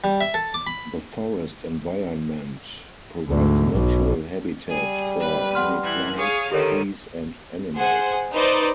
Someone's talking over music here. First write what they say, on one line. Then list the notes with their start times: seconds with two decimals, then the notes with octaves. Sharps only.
The forest environment provides natural habitat for many plants, trees, and animals.
0.04 G3
0.21 E5
0.34 A4
0.54 D6
0.67 B5
3.29 D2 G#2
3.73 B1
4.68 G3 G#4
5.18 B4
5.55 F#5 C6 F6
5.84 E3 F#6 G#6
6.16 G#4 C#5 F5
6.52 D3 D#3 G4 A#4 C#5
7.76 G#4 C5 F#5
8.34 D#4 B4 C5 D5